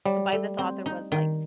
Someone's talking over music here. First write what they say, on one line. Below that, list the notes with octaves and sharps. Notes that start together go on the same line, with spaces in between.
by this author was, like,
F#3 G3
A3
C4
D#4
D#3